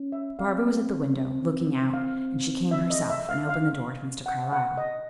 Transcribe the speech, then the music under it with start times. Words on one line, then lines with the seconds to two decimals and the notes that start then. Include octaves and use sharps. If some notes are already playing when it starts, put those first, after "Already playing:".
Barbara was at the window, looking out, and she came herself and opened the door to Mr. Carlyle.
Already playing: C#4
0.12 E5
0.38 C4 F5
1.94 F5
2.71 E5
2.90 D#5
3.10 E5
3.29 F5
3.49 F5
4.26 F#5
4.52 F#5
4.77 D#5